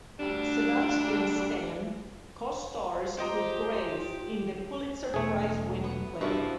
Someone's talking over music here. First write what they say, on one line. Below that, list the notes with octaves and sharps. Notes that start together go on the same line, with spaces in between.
Sebastian Stan co-stars with Grace in the Pulitzer Prize winning play.
D2 G3 D4
F4 G4 C5 D#5 A#5
E1 A3 G#4
B3
G2 F3 E4 F#4